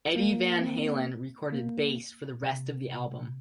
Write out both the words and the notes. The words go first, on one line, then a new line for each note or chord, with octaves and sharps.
Eddie Van Halen recorded bass for the rest of the album.
A#3
C4
A#3
C3